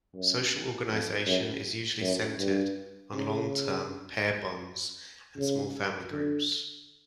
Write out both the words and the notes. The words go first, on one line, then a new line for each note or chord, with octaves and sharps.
Social organisation is usually centered on long-term pair-bonds and small family groups.
F#2
F2
F#2
F#2
G2
C#3
C#3
D3